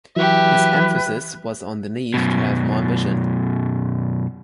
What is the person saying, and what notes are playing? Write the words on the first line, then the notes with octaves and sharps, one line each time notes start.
His emphasis was on the need to have more ambition.
E3 F#3 G4 B4 E5
F#2 B2